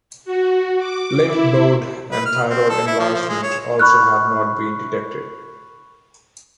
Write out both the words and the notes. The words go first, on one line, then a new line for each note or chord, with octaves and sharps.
Lymph node and thyroid enlargement also have not been detected.
F#4
D6
E4
B4
F6
C4
A4
E4
F3
F3
G#3
C#5
B5 C#6 F6 F#6